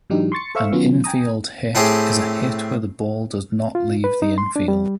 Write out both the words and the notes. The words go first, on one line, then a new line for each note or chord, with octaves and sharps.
An "infield hit" is a hit where the ball does not leave the infield.
G#2 E3 F#3 D4 D#4 G4
C6 C#6 A6 C#7
A4 C5 E5 F5 C#6 E6
D#3 F#3 B3 C#4 F4
G5 G#5 A#5 D#6
A2 A3 C4 G4 G#4 C6
F4
B4
D#4
C6
D4
G3